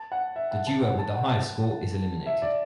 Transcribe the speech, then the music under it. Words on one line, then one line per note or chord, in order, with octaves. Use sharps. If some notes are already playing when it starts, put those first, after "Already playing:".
The duo with the highest score is eliminated.
Already playing: A5
F#5
E5
F#5
A5
F#5
A5
F#5
A5
E5
D5